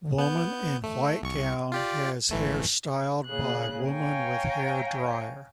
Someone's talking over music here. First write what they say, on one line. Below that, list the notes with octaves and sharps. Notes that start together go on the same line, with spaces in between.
Woman in white gown has hair styled by woman with hair dryer.
B3 G6
A3
C2 C#6
F4 G4 D5
G#1 E3 A3
A#2 C#3 G#4 F#6
C#5 F5 G5 G#5 A#5